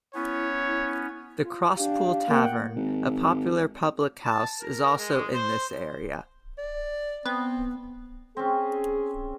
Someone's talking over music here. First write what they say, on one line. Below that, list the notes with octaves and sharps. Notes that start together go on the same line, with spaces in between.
The Crosspool Tavern, a popular public house is also in this area.
B3 C#4 E4 C#5
F4
D4 G4 F5
A#3 F#5 G5
G#1
A5
A#4
G#3
C5
D5
B3 C4
C4 C#4 G#4